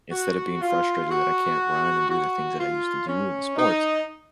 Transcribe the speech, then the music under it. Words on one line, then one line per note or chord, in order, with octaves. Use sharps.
instead of being frustrated that I can't run and do the things that I used to do in the sports,
F#4
F4
F#4
F#4
F4
C#4
D#4